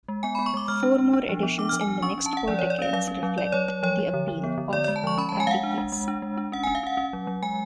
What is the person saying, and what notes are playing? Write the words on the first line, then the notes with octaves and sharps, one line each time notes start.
Four more editions in the next four decades reflect the appeal of "Apicius".
G#3
B3 G#5
B3 B5
C#6
G#3 D6
G#3 F6
D4
D4
D4
F3
B3
D4 D6
F3 F6
G#5
D4
C#4 C#6
C#4
A5
C#4 F#5
F3 D5
F3 C#5
D5
C#4 F5
F#3 F5
C#4
F#3
F#3 D5
F#3 C#5
F#3 C#5
F3 C#5
F3
D3
F3
B3
D3
D3 D5
G#3 D5
A5
F3 C#6
C#4 B5
G#3 A5
G#5
G#3 F5 F#5
D4
G#3
G#3
D4
G#3
D4
C#4 F#5
C#4 G#5
F5
C#4 F#5
C#4
F#3
F#3
G#3 G#5